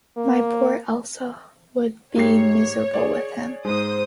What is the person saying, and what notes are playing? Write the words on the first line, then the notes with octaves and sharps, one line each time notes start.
My poor Elsa would be miserable with him.
A#3
G#2 G4 C#5 C7
G#4 D5
G#2 G#3 C5 D#6